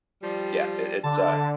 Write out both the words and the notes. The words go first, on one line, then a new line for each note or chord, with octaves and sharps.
Yeah, it it's, uh,
F3 G3
D3 A5